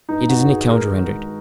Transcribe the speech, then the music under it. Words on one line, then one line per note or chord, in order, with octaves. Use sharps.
It is an account rendered.
G2 D#4
F#4
G2
G#4
D#3 A#4
G#3